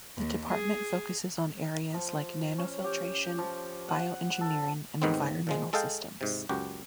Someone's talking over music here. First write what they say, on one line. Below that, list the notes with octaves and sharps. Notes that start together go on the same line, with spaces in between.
The department focuses on areas like Nanofiltration, Bioengineering and Environmental systems.
D#2
G#4
F3
C#4
G4
F3
F#5
A4
D#2 G#2 D#3 B3 C4
A#2 F3 G#3
G#3 A4 D#5 F5 G5
G#2 C3
C#2 F#2 F#4 G4